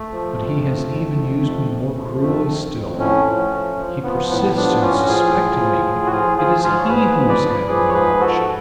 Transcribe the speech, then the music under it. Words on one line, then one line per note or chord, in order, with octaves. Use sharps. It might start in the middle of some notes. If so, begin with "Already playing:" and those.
But he has even used me more cruelly still; he persists in suspecting me; it is he who is having me watched.
Already playing: A3
F3
F2
F3
F2
F2
F2
F3
F3
F2 A3
F2
F2
A2 A3 C#4
F3
F3
F3
F3 B3
A2 B3
F3 B3 D4
A2 C#4 F4
F#4
F3 F4 G#4
A2
F3
A2
F#4
F3 F4 G#4
F3 F4 G#4
G#2 F4 G#4
C#5
G#2 G#4 B4
F3
B4 D5
F3
F3 G#4 B4
C#5
G#2 G#4 B4
F3 F#4 A4